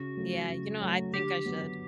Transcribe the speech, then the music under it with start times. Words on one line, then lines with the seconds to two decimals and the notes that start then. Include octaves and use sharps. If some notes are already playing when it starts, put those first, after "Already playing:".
Yeah, you know, I think I should.
Already playing: C#3 F#4
0.16 F#3 A3
0.49 C#3
0.80 F#3 A3
1.13 D3 G4
1.45 F#3 B3